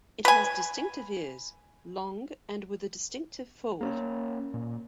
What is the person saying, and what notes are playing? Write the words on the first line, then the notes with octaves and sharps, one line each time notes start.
It has distinctive ears, long and with a distinctive fold.
B4 G#5
A#3 C4 C#4
A#2